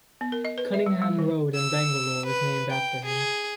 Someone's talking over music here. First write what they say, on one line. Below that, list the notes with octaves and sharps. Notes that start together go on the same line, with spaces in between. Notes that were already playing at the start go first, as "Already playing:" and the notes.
Cunningham road in Bangalore is named after him.
B3
A#4
D#5
B4
E5
G3
G3
D#3
E6
B4
G5
G#4